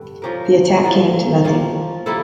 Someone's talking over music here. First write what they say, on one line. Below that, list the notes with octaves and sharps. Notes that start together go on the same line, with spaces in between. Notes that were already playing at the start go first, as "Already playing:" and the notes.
The attack came to nothing.
Already playing: G2 D3 G3
F3 C#4 G4 A#4
A2 F3 A#3
F3 A#3 C#4 F4
G3 A#3 E4 A4